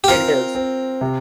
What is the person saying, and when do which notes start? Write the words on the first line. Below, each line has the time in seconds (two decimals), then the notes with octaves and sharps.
It is.
0.04 G4
0.08 C4 F4 A#4
0.55 C4
1.01 C3